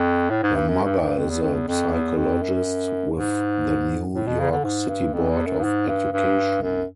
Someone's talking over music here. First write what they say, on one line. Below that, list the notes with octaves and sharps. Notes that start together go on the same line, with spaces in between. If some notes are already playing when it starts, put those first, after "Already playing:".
Her mother is a psychologist with the New York City Board of Education.
Already playing: F2
A2
G#2
G2
F#2
G2
G2
F2
E2
F2
E2
F2
E2
F2
F#2
G#2
A2
B2
C#3
D3
G#2
G2
F2
E2
F#2
G2
G#2
G2
G2
F#2